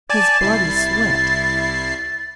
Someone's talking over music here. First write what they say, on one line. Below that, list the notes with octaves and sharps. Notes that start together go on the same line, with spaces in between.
His bloody sweat.
D5 G#5 A5 A6
C2 E4 C7